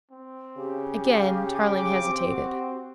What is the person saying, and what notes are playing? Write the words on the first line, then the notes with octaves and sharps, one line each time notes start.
Again Tarling hesitated.
C4
C#3 G4
F5
D6
C4
F#4